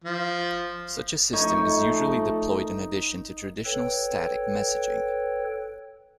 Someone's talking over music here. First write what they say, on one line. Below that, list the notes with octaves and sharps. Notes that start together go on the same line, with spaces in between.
Such a system is usually deployed in addition to traditional static messaging.
F3
F3 A3 D#4 C#5
A4 B4 C#5 G5